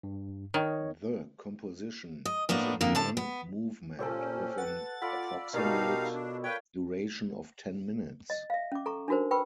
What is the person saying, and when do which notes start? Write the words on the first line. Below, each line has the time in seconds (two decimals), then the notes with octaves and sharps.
The composition is in one movement, with an approximate duration of ten minutes.
0.03 G2
0.54 D#3 C#5 D#5
2.25 D#5
2.49 A2 A#3 B3 D4
2.81 F2 D3 A#3
2.95 A2 D3 A5
3.17 B3
3.99 A#2 C#4 G4 A4 C5 G5
4.58 B4 F#5 A6
5.02 F4 A4 D5 F#5 B5
5.53 B2 G3 D#4 A#4 C#5 D5 F5 A5
6.14 D4
6.44 B4 C#5 F5 G5
8.30 D#5
8.50 E5 F5
8.72 C#4 D6
8.86 A4 A#5 C#6
9.08 D4 D#4 F#4 A#4 C5
9.31 B4 G5 B5 C#6 E6